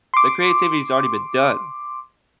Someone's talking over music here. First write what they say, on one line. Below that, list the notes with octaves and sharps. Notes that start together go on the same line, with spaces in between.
The creativity's already been done.
C6 D6